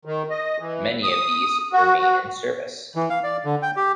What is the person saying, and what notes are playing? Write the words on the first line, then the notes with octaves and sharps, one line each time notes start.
Many of these remain in service.
D#3
D#5
E3
D#6
F#4
F#4
E3
F5
D5
D3
G5
G4